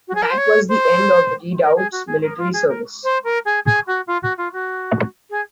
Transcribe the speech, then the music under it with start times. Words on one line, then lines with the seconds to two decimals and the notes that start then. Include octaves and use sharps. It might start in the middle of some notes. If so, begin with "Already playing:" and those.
That was the end of the Redoubt's military service.
0.08 F#4
0.15 G#4
0.22 A#4
0.30 C5
0.38 C#5
0.69 C5
1.61 A#4
1.76 G#4
1.92 F#4
2.07 G#4
2.23 A#4
2.38 F4
2.53 G#4
2.68 A#4
3.04 C5
3.24 A#4
3.45 G#4
3.65 G#4
3.87 F#4
4.07 F4
4.22 F#4
4.37 F4
4.53 F#4
5.30 G#4